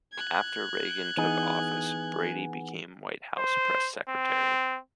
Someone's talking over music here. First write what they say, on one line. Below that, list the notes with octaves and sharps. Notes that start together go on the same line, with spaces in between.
After Reagan took office, Brady became White House Press Secretary.
F#6 G#6
E3 B3 D#4 G#4
C5
C4